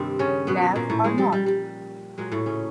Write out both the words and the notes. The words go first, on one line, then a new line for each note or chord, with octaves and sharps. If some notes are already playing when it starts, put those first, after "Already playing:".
Knave or Not?
Already playing: G2 C3 D#3 G3 C4
C#3 C#4
B2 B3
A#2 A#3
A2 A3
A#2 F3 G#3
G3
G3
G3
A#2 F#3 G#3
A2 A3
C#3 C#4